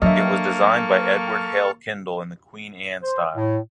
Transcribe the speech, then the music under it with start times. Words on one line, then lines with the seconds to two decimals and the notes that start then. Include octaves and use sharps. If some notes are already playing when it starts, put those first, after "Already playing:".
It was designed by Edward Hale Kendall in the Queen Anne style.
0.02 F#3 A#3 D4 A4 D#5 E5 C#6 F6
3.02 C5
3.36 A2